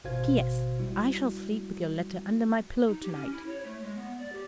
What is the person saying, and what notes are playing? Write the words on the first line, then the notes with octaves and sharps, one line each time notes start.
P.S. I shall sleep with your letter under my pillow tonight.
G#1 B2 F#4 C5 F5 G#6
G3 E4 F#4
D#4
G4
C#4
E4
C#5
A3
G#3
B3
D5
G4